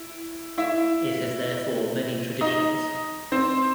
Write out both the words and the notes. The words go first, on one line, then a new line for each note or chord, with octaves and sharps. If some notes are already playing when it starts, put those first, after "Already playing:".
It has therefore many traditions.
Already playing: E4
E4 E5
D#4 D#5
C4 C5